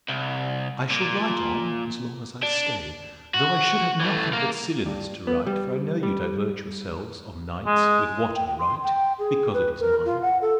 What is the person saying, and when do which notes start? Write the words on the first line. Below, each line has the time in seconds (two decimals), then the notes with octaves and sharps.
I shall write on, as long as I stay, though I should have nothing but silliness to write; for I know you divert yourselves on nights with what I write, because it is mine.
0.08 C2
0.91 A#2
2.43 D4
3.34 F#4
4.00 E3 A3
4.33 A#3 A#4
4.86 G2
5.27 B3
5.47 G3
6.03 G3
7.66 G#3
8.36 G5
8.47 G5
8.59 C6
8.83 G5
9.19 G#4
9.53 B4
9.80 A#4
10.05 F4
10.21 F#5
10.41 A4